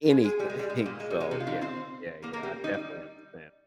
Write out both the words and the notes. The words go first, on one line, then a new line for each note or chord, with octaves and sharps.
anything so yeah, yeah, yeah, I definitely understand it.
G#3 G#4
G#3 G#4
G3 G4
G#3
G3
G#3
A#2 A#3
G#3
G3
G#3
C3 C4
F4
D#3 D#4
C4 C5
A#3 A#4
A#3 A#4
G3 G4
D#3 D#4
G3